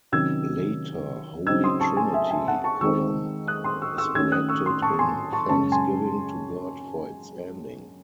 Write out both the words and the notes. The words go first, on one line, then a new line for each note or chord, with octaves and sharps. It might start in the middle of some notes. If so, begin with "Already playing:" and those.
Later Holy Trinity column is erected in thanksgiving to God for its ending.
C3 D#3 F#3 C#4 E6 G#6
C#3 F#3 C4 D#4 E6 G#6
C6 D#6
A5 C#6
G#5 C6
E5 G#5
E5 G#5
F#5 A5
A5 C#6
D#3 G#3 C4 D#4 C#6 E6
D#6 F#6
C6 D#6
C#6 E6
C#6 E6
D#3 A3 C#4 E6 G#6
D#6 F#6
C#6 E6
C6 D#6
A5 C#6
G#5 C6
A5 C#6
F#2 C#3 G#3 A5 C#6
G#5 C6